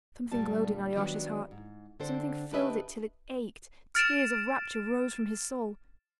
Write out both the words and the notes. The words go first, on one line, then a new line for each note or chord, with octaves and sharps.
Something glowed in Alyosha's heart, something filled it till it ached, tears of rapture rose from his soul....
D2 G2 A#2 G3 A5
D#3 F#3 G3 B3 D4
G#2
D3 C4 D4 A4 C5
D4 G4 A4 B4 D#5 E5
F6 A6 D7 E7